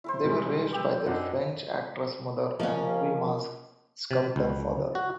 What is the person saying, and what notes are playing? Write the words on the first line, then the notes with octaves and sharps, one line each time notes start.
They were raised by their French actress mother and movie-mask sculptor father.
E4 A#4 C5
B2 G3 G#3
G4 G5 E6
F#2 D4 D#4 F#5
F3 A#3 C#4 D#5 F5
C3
C#2
F#4